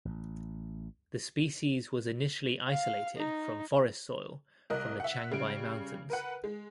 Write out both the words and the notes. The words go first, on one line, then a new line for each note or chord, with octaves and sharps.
The species was initially isolated from forest soil from the Changbai Mountains.
A1
F5
D#4
C2 A#4 D#5 F#6
E5 F#5
C#3 G3 D7
A#4 B4 F#5
G#3